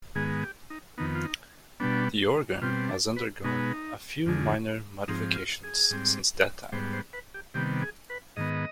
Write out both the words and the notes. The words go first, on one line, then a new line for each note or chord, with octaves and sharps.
The organ has undergone a few minor modifications since that time.
G#2 D#3 G#3 B3 G#4
G4
D#4
F2 D#3 B3 D#4
F4
D#4
B2 G3 B3 D4
B2 G3 C4 F4
D4
B4
B2 G#3 B3 D#4
F2 D3 G#3
G#2 F3 C4 D#4
F4
G#4
G#2 G3 C4
G#2 G3 B3 C5
C5
B4
G4
C3 D#3 G3 B3 G4
G#4
B4
G#2 D#3 B3 D#5